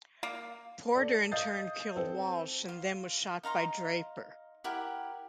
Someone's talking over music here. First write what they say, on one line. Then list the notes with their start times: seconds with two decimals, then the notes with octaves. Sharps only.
Porter in turn killed Walsh and was then shot by Draper.
0.23 A#3
0.95 A4 D5
1.31 D#5 F5 D#6 G6 A6 C7
1.96 C4 A4
2.69 F4
3.43 D#4 F5 A#5 C6
4.64 E4 G4 A#4 F#5